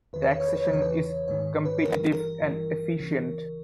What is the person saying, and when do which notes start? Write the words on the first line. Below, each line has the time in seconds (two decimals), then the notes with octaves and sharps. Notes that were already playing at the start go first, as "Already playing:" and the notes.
Taxation is competitive and efficient.
0.13 E2 D#3 B4
0.22 C#5
0.31 B4
0.40 C#5
0.48 B4
0.57 C#5
0.65 B4
0.71 E2 C#3 E3 C#5
0.82 B4
1.27 G#1 G#2 D#3 C#5
1.65 B4
1.79 B4
1.85 G1 G2 E3 A#4
2.13 A#4
2.41 G1 G2 E3
2.98 C#2 C#3 E3